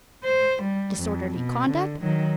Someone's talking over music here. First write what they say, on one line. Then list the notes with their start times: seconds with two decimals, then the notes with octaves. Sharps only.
Disorderly conduct?
0.24 C5
0.63 G3
0.98 F2
1.36 B2
1.69 D3
2.01 D#3 F#3